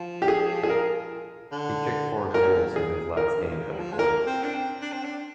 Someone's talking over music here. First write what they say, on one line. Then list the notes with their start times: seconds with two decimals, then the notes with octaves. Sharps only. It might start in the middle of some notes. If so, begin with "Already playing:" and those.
He kicked four goals in his last game for the club.
Already playing: F3
0.22 G4
0.28 G#4
0.63 G#4
0.70 A#4
1.52 D3
2.30 G#2
2.34 A#2 A#4
2.76 G#4
3.17 A#4
3.37 G2
3.49 A#2
3.58 G#2
3.72 G3
3.79 F3
3.92 G#3
3.99 A#3 A#4
4.27 C4
4.43 D4
4.54 C4
4.81 D4
4.92 C4
5.04 D4